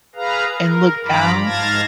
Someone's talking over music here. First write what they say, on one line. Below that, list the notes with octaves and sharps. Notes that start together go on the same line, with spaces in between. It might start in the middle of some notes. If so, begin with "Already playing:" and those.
and look down
G#4 B4 F5 A#5
A#4
G2 F3 F4 A#5 B5 D6
G#2 F5 A5 G#6 A#6